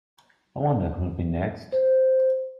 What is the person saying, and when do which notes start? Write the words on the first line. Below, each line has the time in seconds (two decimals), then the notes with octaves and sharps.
I wonder who'll be next?
1.72 C5